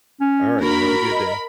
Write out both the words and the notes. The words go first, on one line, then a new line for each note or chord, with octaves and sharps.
Alright, have a good day.
C#4
A#3 D4 F#4 A#4 B5
D#5